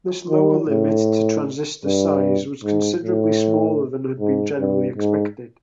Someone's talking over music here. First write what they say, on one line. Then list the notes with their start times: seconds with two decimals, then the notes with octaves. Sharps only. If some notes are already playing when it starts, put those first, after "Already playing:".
This lower limit to transistor size was considerably smaller than had been generally expected.
0.29 D#3
0.69 A2
1.85 G2
2.64 G#2
3.03 A2
4.20 G#2
4.59 G2
4.98 G#2